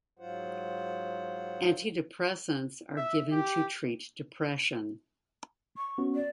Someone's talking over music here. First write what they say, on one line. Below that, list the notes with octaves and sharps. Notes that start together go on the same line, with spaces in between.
Antidepressants are given to treat depression.
G#2 F#3 F4 C5 F#5
E5
G4
C#6
B3 C#4 F#4
D5